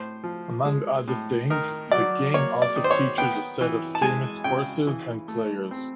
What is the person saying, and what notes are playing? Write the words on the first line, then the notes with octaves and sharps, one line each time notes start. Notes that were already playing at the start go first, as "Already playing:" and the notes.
Among other things, the game also features a set of famous courses and players.
Already playing: A2 C5
F3
G#3
A2
D#3 A#4
F#3 D5
A#3 C#5
D5
D#3
C5
C#5
B3 G5
E3
A5
G#3 G#5
C#3 G5
E3
A3
C4